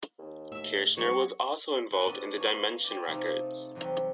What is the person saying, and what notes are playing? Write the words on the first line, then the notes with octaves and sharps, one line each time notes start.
Kirshner was also involved in Dimension Records.
D#2
A2 E5
G#2 F#3 C#6
A4 B4 D#5
B3 C#4 D4 A4
C#5 F5 G#5 A#5
G4 D5 D#5
C3 A3 D#4 F4
E2 C3 F#3 G3